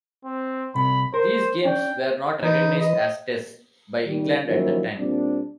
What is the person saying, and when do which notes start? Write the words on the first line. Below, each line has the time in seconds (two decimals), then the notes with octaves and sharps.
These games were not recognised as Tests by England at the time.
0.25 C4
0.75 C2 C3 B5
1.14 A#4 C5
1.65 C#4 D4 G5
2.42 E3 D#4 B4
2.79 D#5
4.06 D#3 G3
4.45 D#3 F3 F#3 A#3 C#4 E4
4.99 A#2 G3 C4 D4